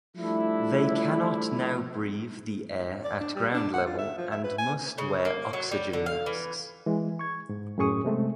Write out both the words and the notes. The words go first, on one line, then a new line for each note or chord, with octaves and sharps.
They cannot now breathe the air at ground level and must wear oxygen masks.
F3 G3 A3 D4 E4
D5
D4
G3
D4
F#5
F4
E5
F3
E5
B4
G#5
C#3
A#3
F#3
G3
D3
F5
E3
E3 G#3
C#6 G#6
G#2
F#2 A2 C#4 G#4 C#6 D#6
C3 G#3 A3 C4